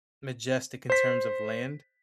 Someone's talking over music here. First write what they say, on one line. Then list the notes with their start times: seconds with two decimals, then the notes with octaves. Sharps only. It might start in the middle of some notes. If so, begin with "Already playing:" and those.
majestic in terms of land?
0.90 C5 B6